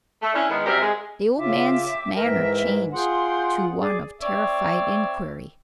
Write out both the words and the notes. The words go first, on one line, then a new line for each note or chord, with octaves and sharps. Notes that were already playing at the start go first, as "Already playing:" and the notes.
The old man's manner changed to one of terrified inquiry.
A3
C#4 D4 E4
D#3 G#3 B3
F#2 C3 G3 C4 A#4 E5
G#3
C#3 F4 E5 G5 D6
G#2 E3 A#4 E5 G5
F4 G#4 F#5 G5 C6
G#4 D5 D6
C4 C#5 D5 E5